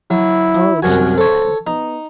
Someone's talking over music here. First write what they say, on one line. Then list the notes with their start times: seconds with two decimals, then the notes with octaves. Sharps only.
"Oh," she said.
0.10 F#3 E4
0.82 C2 F#2 F#4 G#5
1.18 A4 C5 C#5
1.67 B3 D#4